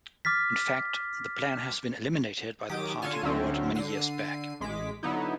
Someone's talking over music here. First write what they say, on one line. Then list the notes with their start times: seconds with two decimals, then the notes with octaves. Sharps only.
In fact, the plan has been eliminated by the party board many years back.
0.25 D6 F6 A6 B6
2.69 D#3 F#3 G4 D6 D#6 D7
3.02 D3 F4 C#5 G#5 A5 D#7
3.22 D2 D3 F#3 A3 C4 C#4
3.75 D3 C7 D#7
4.61 A1 G#3 D6 B6
5.03 D3 F#3 B3 D#4 E4